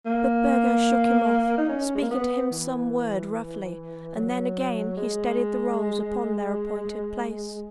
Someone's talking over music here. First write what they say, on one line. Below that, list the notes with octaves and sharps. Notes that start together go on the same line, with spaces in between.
But Burgo shook him off, speaking to him some word roughly, and then again he steadied the rolls upon their appointed place.
A#3
D#4
C#4
G#3
A#3
B3
E3
F#3
G#3